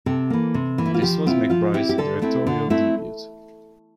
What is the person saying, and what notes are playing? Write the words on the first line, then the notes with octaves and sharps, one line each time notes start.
This was McBride's directorial debut.
C3 A4
E3 A#3
C3
E3 A#3
E4
F4
F3 G4
C4 E4 F4
F3 F4
C4 E4 G4
G4
D3 A4
A3 C4 E4
D3
A3 C4 E4